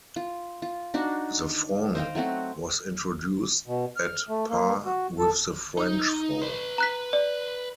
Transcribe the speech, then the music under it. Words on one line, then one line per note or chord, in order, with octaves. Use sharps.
The franc was introduced at par with the French franc.
F4
F4
D4 D#4 F#4
C5 D#5 F5 G5
F#3 A3 C4 F#4
B2
F6
A3
A#3
F#4
A4
D#4
B4 C6
A#5 F#6 B6
D5